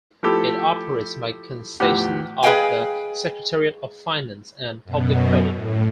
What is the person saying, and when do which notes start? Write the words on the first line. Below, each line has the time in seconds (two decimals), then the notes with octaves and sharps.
It operates by concession of the Secretariat of Finance and Public Credit.
0.23 F3 A3 E4 G4 A4
1.80 E2 A2 F3 G4 F#5
2.43 G#4 B4 D#5 F5 G5 G#5
4.85 F#2 B2
5.53 A2